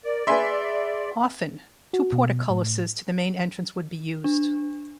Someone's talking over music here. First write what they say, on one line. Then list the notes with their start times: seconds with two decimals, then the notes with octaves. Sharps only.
Often, two portcullises to the main entrance would be used.
0.04 A#4 D5
0.27 G#4 B4 E5 G#5 B5 C6 B6
1.93 F#4
2.12 B2
2.50 A2
4.24 D4